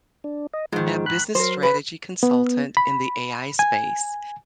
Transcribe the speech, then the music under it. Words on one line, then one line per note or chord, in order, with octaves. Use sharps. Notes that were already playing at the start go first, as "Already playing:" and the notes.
a business strategy consultant in the AI space,
D4
D#5
G#2 D#3 F3 G#3
B5 F#6
F#3 A#4 C5
B4
B3
B5
G#5